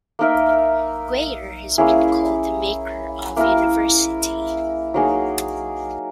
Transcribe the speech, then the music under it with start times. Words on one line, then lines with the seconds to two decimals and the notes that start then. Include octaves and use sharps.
Gwyer has been called the "maker of university".
0.19 A#3 D#4 A#4 E5
1.78 A#3 C#4 E4 G#4
3.36 A#3 E4 A#4
4.94 F#3 A#3 D#4 G#4